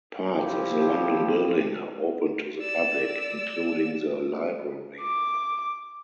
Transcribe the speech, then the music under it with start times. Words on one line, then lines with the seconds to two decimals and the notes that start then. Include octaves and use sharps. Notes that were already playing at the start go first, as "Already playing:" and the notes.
Parts of the London building are open to the public, including the Library.
0.33 C2 F3 E4 G4
2.61 D5 E6
5.01 D6